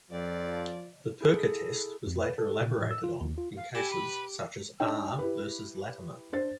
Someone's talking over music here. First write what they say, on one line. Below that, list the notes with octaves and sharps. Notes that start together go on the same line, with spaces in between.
The Perka test was later elaborated on in cases such as "R. versus Latimer".
F2 F3 D5
E4 G#4 A4
F2
B4
A4
A#2
A2
E6
F4
D#2
F4
F5
E4 G4 G#5
B4 B5
D4 D#4 C#5 D#5 G5
E4 G4 B4
D4 C5 A6